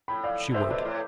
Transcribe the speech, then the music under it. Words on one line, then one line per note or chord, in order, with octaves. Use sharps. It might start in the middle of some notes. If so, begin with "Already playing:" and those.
She would.
A2 G5 B5
D5 F5
D3 C5 E5
C3
B2 B4 D5
A2